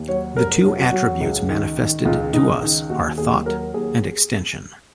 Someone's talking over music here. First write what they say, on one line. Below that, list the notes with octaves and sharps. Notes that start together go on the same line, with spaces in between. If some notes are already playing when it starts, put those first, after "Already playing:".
The two attributes manifested to us are thought and extension.
Already playing: D#2
F#3 C#5
F1 A#4
F#3
F#4
F#3
C#2
D#3
D#3
C#2 F4
C#2 D#4
D#3
D#2 F#4
D#2 G#4
F#3 A#4
D#2 G#4